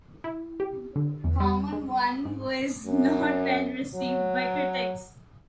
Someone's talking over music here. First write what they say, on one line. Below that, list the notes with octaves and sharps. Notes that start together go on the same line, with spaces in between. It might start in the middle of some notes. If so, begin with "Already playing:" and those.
"Common One" was not well received by critics.
E4
G4
D3
E2
G3
G#3
G#2
F#2
F#3